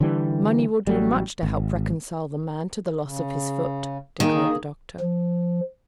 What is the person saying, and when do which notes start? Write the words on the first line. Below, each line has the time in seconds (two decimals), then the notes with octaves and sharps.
"Money will do much to help reconcile the man to the loss of his foot," declared the doctor.
0.01 D3 E3 G3
0.87 A1 F#3 G3
1.43 G#1
3.05 C#3
4.20 D#3 A#3 G#4
5.00 F3